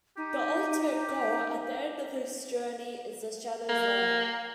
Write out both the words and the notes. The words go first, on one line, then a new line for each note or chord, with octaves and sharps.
The ultimate goal at the end of this journey is "The Shadow's Lair".
D#4 G4
G4
A#3